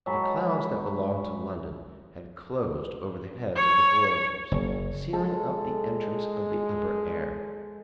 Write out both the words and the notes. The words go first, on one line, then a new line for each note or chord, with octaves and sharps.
For the clouds that belonged to London had closed over the heads of the voyagers sealing up the entrance of the upper air.
F#3 G#3 A4 B4
C#5
F#1
G#3 A4